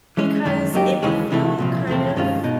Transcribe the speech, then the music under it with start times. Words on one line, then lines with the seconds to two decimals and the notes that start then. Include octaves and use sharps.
because it would feel kind of
0.17 E3 G#3 C#4
0.45 F#2 D#3 G#3 C#4
0.74 F#3 A#3 D#4 G4
1.02 D#2 C#3 E3 G#3 C#4
1.30 C2 C3 E3 A3
1.58 C2 A#2 F3
1.87 E2 C3 F3 A3 C4
2.16 G2 D#3 G#3 C#4 F4
2.44 B2 D#4